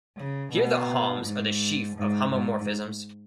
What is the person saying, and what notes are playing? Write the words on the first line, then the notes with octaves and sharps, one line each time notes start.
Here the "Hom"'s are the sheaf of homomorphisms.
C#3
B2
G#2
G#2
G#2